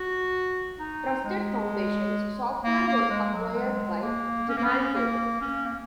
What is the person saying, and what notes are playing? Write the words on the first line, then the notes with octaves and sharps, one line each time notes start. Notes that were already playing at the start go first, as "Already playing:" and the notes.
Trusted Foundations Software was acquired by Gemalto.
Already playing: F#4
D#4
G#3
A#3
A#3
G#3
F#3
G#3
A#3
C#4
A#3
C#4
A#3
C#4
A#3